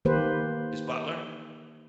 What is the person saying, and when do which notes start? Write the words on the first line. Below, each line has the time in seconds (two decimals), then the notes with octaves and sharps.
His butler?
0.05 D#3 A#3 G4 B4 C5